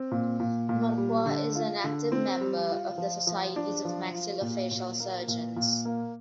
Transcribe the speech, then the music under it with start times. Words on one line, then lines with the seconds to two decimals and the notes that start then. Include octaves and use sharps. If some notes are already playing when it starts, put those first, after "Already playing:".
Marquardt is an active member of the Societies of Maxillofacial Surgeons.
Already playing: C4
0.11 A#2
0.40 A#2
0.69 A#2
0.98 G3
1.26 D3
1.55 F4
1.84 D3
2.12 C4
2.41 G3
2.70 F4
2.98 F3
3.27 F3
3.56 D4
3.85 F3
4.14 F4
4.41 A#2
4.71 A#2
5.00 A#3
5.28 A#2
5.56 A#2
5.85 A#3